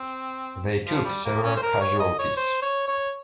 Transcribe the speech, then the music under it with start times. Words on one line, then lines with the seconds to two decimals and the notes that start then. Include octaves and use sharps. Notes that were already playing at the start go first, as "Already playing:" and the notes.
They took several casualties.
Already playing: C4
0.87 F3
1.05 G3
1.25 A#3
1.43 C#4
1.57 C5
1.63 A#4
1.81 C#5
2.00 D#5
2.19 C#5
2.37 C5
2.62 C#5
2.88 C#5